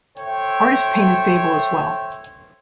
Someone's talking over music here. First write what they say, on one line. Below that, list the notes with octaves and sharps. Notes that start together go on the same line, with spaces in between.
Artists paint in fable as well.
A4 C5 C#5 E5 G5